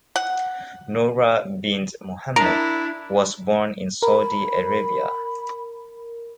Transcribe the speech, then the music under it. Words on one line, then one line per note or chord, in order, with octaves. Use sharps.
Noura bint Mohammed was born in Saudi Arabia.
F#5
D4 E4 A#4
A#4 B5